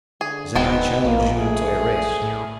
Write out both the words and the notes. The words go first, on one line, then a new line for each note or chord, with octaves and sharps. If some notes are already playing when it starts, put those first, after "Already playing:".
Zen I challenge you to a race.
D3 G#4
D1 G#3 B3 C4 D#4
A#1 A#3
A3 G#4
A2